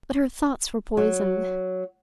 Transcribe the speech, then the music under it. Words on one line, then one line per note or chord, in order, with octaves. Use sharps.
But her thoughts were poisoned.
F#3